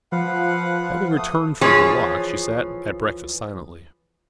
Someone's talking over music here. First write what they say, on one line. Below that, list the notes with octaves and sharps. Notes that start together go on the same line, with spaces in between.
Having returned from her walk she sat at breakfast silently.
F3 B4 F5 F#5
A3 D#6
E3 F3 G#4 C#5